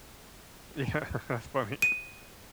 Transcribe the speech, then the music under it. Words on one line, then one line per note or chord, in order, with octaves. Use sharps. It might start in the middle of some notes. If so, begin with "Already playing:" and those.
Yeah, that's funny.
D#7